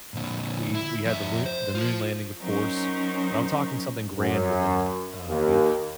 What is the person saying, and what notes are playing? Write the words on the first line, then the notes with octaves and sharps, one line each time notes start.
we we had the loo the moon landing, of course, but I'm talking something grander than that. Uh, we've
A#2 D3
E4
F2 E5
C5
F4 C5
F#3 C#4 D#4 A#4 C5
F#2
D#2